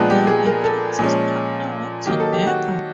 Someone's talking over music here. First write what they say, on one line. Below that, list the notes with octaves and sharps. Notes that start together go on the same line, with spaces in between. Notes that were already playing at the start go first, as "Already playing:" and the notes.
They may practice partner work together.
Already playing: A#2 F3 G#3 B3 D4
G4
G#4
A#4
A4
A#2 F3 G#3 C#4
D#3 F#3 A#3 D#4 G4
A4
G4
F#4